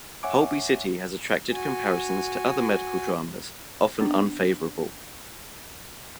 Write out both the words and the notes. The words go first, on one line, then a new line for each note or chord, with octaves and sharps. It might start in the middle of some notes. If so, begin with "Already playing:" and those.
"Holby City" has attracted comparisons to other medical dramas, often unfavourable.
C#5 E5 F#5 G#5 C#6 D6
F#4 G#5
B3 D4 D6